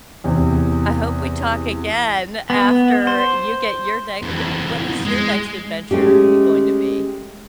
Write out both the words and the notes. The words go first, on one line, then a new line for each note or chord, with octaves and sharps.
I hope we talk again after you get your day uh, wha what is your next adventure going to be?
E2 C3
B3
C5
F2 E3
G#3
G#3 A3 C#4 G4